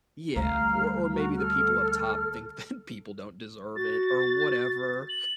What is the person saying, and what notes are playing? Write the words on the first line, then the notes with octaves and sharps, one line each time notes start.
Yeah, or or maybe the people up top think that people don't deserve it or whatever,
D2 G3 F5 A#5 F6
F#4 A#5
A4 F6
F#4 A6
F#7